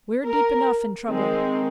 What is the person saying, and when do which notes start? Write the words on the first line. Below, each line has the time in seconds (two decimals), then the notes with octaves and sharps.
We're deep enough in trouble.
0.23 A#4
1.06 D#3 G#3 C4